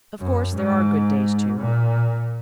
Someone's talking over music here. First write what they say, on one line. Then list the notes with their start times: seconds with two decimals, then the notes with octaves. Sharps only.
Of course there are good days, too.
0.19 F#2
0.55 G#2
1.58 A#2